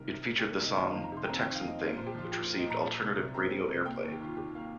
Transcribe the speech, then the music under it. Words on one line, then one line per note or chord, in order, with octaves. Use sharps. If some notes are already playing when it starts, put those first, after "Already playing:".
It featured the song, "The Texan Thing", which received alternative radio airplay.
Already playing: C2 D#3 A#4
C3
A#3
D#3 G4
A#4
C2 D#5
D#3 D#5
F2 F5
A#5
C3 C6
G5
C4 A#5
D#3 G5
F5
F2 D#5
A#3 C5
A#2 C5
G4
F3 F4
A#2 G4
A#3 F4
D#5
A#2 A#5
G3
C2
C3
C4 A#5
G3
C2
A#3 G5
G4
D#2
G4
D#3 F4
D#2 G4
A#3 F5